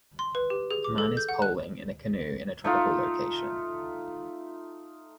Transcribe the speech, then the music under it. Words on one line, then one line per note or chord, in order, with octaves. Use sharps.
A man is poling in a canoe in a tropical location.
C6
B4
G4
G#4
D6
A4
G6
F#5
F#6
A3 D#4 F4